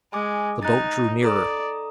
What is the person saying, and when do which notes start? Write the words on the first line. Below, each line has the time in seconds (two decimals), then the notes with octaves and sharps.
The boat drew nearer.
0.13 G#3 G#5 D6
0.63 D#4 F#6 A6
1.23 A4 D5 A#5 D#6